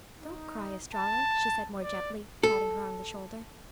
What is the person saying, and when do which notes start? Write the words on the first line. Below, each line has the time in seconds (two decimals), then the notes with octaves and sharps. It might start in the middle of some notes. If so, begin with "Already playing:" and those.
"Don't cry, Estralla," she said more gently, patting her on the shoulder.
0.19 D#4
0.95 A5
1.82 D5
2.43 A4